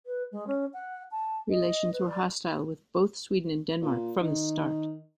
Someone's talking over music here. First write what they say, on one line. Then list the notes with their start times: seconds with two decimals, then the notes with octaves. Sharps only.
Relations were hostile with both Sweden and Denmark from the start.
0.06 B4
0.32 G#3
0.47 C#4
0.73 F#5
1.11 A5
1.50 D#5
1.93 B4
2.07 D5
3.82 A#2
4.21 D#3